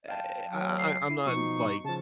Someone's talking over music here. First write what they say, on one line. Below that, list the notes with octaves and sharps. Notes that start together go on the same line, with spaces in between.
Eh I I I'm not, like,
F5 G5 A5
F#3
C7
E4
B2 F3 D#4 C#6
C#3 F3 A5